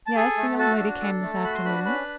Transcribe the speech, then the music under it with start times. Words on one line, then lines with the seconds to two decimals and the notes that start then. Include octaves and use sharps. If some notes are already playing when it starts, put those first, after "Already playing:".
"Yes; a young lady came this afternoon."
0.07 A5
0.16 G#4 A4 G#5
0.37 A3
0.59 F#4 A4 A5
0.80 D4
1.01 A4
1.22 A3
1.44 F#4 B5
1.54 C6
1.65 D4 B4 B5
1.86 C#4 B4 B5